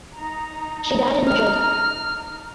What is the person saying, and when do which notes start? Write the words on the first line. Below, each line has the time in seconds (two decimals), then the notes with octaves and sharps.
She died in Madrid.
0.14 D#4 A#5
1.27 F6